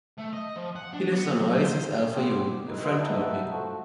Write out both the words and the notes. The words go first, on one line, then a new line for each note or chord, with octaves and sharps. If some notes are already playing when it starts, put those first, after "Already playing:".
He lives on Oasis Al-Fayoum, your friend told me.
A3
D#5
F3
F#5
D4
B3
F#3
C5
B3 C4 G4 C6
D#4 E4 B4
D#2 E4 B4 D#5 F#5 C6
D#4 B4 E5 F#5 G5 A5
F3 A3 F#4